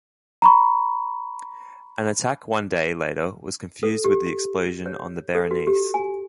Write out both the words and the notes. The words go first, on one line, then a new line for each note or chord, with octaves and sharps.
An attack one day later was confused with the explosion on the Berenice.
A#5 B5 C#6
A4
G4
C#5
A4
F#4
G4
G#5